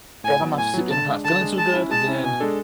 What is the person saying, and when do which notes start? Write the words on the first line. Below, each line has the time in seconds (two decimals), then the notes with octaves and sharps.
if I'm not s if I'm not feeling too good, then,
0.24 A2 G#5
0.41 F#3 B3
0.58 A2 G#5
0.74 F#3 B3
0.91 D3 A5
1.07 G#3 D4
1.24 D3 A5
1.41 G#3 D4
1.58 G#3 A5
1.74 C#4 E4
1.91 G#3 A5
2.07 C#4 E4
2.24 B2 G#5
2.40 G#3 D4 A4